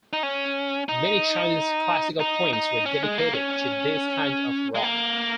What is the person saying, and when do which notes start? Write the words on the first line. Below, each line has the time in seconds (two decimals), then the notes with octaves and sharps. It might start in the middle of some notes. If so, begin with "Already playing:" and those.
Many Chinese classical poems were dedicated to this kind of rock.
0.13 D#4
0.23 C#4
0.89 D#4
2.20 D#4
2.53 D#4
2.86 C#4
3.03 G#3
3.18 A#3
3.34 C#4
4.75 G#3
4.83 A#3